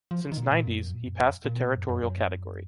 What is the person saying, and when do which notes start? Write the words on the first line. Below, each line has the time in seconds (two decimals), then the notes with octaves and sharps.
Since ninety's, he passed to territorial category.
0.11 F3
0.32 D#3
0.37 A#2
0.41 B2
0.52 A#2
0.66 F#2
0.79 F2
0.94 A#2
1.07 F#2
1.21 F2
1.45 A#2
1.55 B2
1.65 A#2
1.76 F#2
1.89 F#2
2.03 F#2